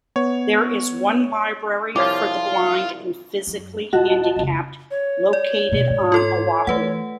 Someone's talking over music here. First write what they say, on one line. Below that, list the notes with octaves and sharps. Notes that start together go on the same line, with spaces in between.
There is one library for the blind and physically handicapped, located on Oahu.
B3 C#5
C2 F3 F4 C#5 D6
F#2
D#1 F4 F#4 D#5 A5
F1 C#2
C#5
D5
D#1 B2
G#2
F4 A4 C6
E3 A3 B4 F#5